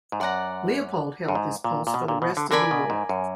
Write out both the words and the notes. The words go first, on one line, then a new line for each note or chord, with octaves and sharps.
Leopold held this post for the rest of the war.
G#2
F#2 D5 F#5 A#5
F#2
G#2
A#2
A#2
B2
A#2
B2
D3
D3 A#4 D5 G#5 B5
B2
G#2
F#2